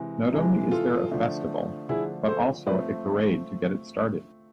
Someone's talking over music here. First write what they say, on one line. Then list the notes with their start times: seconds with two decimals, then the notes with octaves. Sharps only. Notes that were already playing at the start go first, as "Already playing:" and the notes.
Not only is there a festival, but also a parade to get it started.
Already playing: C3 E3 G#3
0.32 C3 E3 G#3
0.71 F4 A4
1.11 D3 F3 A3 D4
1.89 D3 F3 A3 D4 E4 G#4
2.28 A4 C5
2.66 F3 A3 C4 B4 D5